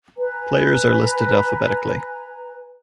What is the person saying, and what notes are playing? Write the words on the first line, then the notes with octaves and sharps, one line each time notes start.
Players are listed alphabetically.
B4 G#5 A#5